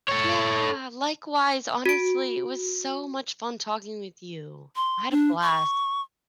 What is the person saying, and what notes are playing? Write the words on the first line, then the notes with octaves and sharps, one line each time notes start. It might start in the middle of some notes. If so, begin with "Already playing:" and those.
Yeah, likewise, honestly, it was so much fun talking with you. I had a blast.
A4 C#5
F#4 D7
C6
D4
C#6